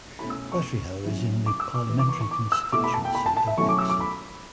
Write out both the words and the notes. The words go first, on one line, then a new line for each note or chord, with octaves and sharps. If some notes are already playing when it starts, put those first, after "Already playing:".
Butteryhaugh is in the parliamentary constituency of Hexham.
B2 A3 C#4 E4 B5
E6
C#6
F#3 C#4 E4
D6
E6
D6
E3 B3 E4
D6
C#6
C#6
D6
E6
B2 A3 E4 D6
B5
A5
G5
B5
A5
A5
E5
B2 F#3 A3 C#4 E4 C#6
D6
E6
D6
B5